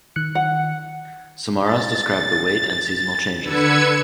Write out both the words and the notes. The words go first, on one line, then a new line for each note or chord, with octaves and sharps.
Samaras described the weight and seasonal changes.
D#3 F#6 C#7
F#5
A6
D3 B4 E6 G#6 C#7